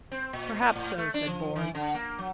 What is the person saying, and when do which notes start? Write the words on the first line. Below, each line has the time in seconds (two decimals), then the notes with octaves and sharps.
"Perhaps so," said Bourne.
0.12 C4
0.33 A#2
0.62 A2
0.76 A2
0.98 A3
1.14 D4
1.27 F3
1.56 E3
1.75 D3
1.94 A#3
2.19 F#3